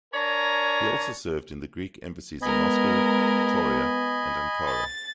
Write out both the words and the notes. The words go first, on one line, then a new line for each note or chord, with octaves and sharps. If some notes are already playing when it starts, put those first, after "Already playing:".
He also served in the Greek embassies in Moscow, Pretoria and Ankara.
D4 A#4 C#5 D5 G#5 A#5
G#3 B3 A#4 D#5 G#5 B5
A6